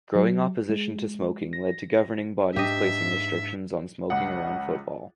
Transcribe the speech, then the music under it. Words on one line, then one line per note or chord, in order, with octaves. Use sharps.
Growing opposition to smoking led to governing bodies placing restrictions on smoking around football.
F#3
G#3
A#6
G#2 D4 G4 D#5 E5
C#2 F#5